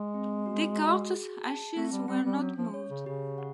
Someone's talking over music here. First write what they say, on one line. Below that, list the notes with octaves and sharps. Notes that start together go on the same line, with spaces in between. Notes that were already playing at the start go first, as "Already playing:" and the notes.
Descartes' ashes were not moved.
Already playing: G#3
C4
F#4
F#4
G#4
A5
A3 C4
G3
G3 C4
G3
F#3 C#4
F3
C#5
C#3
C#3 G4
F#5